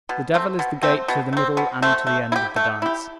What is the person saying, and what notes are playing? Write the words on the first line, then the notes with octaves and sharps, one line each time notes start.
The devil is the gate to the middle and to the end of the dance.
B2
A3 C4
B2
A3 C4
B2
A3
C4
B2
A3 C4
A3
E4
G4
A3
E4 G4